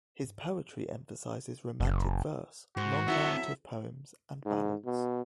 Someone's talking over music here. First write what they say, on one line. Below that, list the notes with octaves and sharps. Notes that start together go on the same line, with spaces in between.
His poetry emphasizes romantic verse, long narrative poems, and ballads.
F#1
G#2 F#4 C5
F#3 C4 E4 A4 E5 F#5
G#2
B2